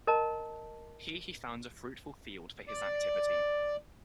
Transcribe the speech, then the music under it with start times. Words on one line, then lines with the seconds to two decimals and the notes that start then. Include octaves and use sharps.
Here he found a fruitful field for his activity.
0.07 A#4 D#5 A5 A#5
2.68 D5